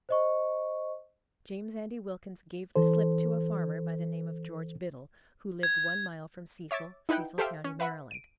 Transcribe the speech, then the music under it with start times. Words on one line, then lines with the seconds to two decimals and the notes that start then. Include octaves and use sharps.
James Andy Wilkins "gave the slip" to a farmer, by the name of George Biddle, who lived one mile from Cecil, Cecil county, Maryland.
0.09 C5 D#5 C#6
2.76 E3 A4 C5
5.63 G#6
6.71 C#5 E5 D6 A6
7.09 D#4 E4 B4 F#5 G5
7.38 G4 A4 C5 E5 F5 G5
7.64 C#4
7.80 B4 E5 F#5 B5
8.11 D7 D#7